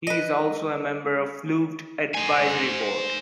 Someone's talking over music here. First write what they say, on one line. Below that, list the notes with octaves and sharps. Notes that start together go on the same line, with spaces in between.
He is also a member of Flooved advisory board.
B4 D#5
C5 G#5